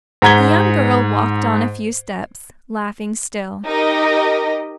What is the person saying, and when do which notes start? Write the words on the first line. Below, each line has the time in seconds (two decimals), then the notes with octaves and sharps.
The young girl walked on a few steps, laughing still.
0.22 G#2 F#5 A#5 G#6 B6 G7
3.65 D#4 G4 A#4 D#5